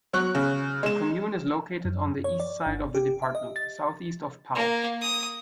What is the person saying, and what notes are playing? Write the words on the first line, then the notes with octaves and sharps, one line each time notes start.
The commune is located on the east side of the department, southeast of Pau.
F#3 C#6 F#6
C#3
G#3 E7
F#2
C#5
D5
G1
G4
E5
D#5
A6
A#3
D#6